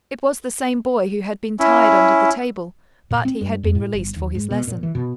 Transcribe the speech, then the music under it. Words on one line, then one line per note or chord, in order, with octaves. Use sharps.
It was the same boy who had been tied under the table, but he had been released for his lesson.
C#4 E4
A#2
C4
G2
F2
A2
G1
D#2
G#2
B2
A#2
E3
B2